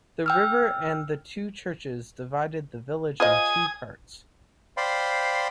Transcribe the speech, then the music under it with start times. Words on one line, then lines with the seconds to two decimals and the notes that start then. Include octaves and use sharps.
The river and the two churches divided the village in two parts.
0.26 G5 E6 F6
3.20 F4 C5 D#5 G#5 D#6
4.77 C5 D5 F5 G5 B5 C6